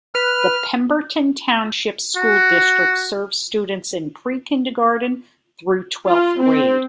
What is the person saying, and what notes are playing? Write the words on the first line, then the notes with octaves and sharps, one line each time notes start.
The Pemberton Township School District serves students in pre-kindergarten through twelfth grade.
B4 F6
F#4
F4
C4